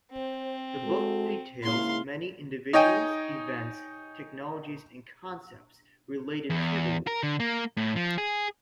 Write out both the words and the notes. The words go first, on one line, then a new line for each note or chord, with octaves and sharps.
The book details many individuals, events, technologies, and concepts related to the War.
C4 C5
G#3 F#4 A4
G#2 C#3 A#3 E4 F5 C6
D#4 C#5 D#5 G5 G#5
E2
A#4
D3
A#3
A2
F3
G#4